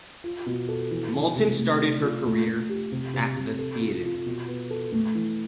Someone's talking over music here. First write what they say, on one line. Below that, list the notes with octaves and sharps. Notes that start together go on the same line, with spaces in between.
Malton started her career at the theater.
F4
B2
A4
E3
E3
C3
A3
D4
F4
A3
A3
G4
C3
C3
C3
A4
F4
F4
B2
B3
A4
A3
E3